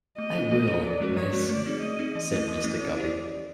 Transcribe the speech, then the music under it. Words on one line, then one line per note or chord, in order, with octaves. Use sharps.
"I will, miss," said Mr. Guppy.
A3 D#5
C#4 F4 A4
A3
C#4 F4 A4
F3 D5
G#3 C#4 F#4 A#4
F3 C#5
G#3 C#4 F#4 A#4
A3 D5
C4 D#4 G#4
A3 D#5
C4 D#4 G#4
E3 D#5
A3 C#4 E4
E3
A3 C#4 E4
C#4 D5
E4 G4 C5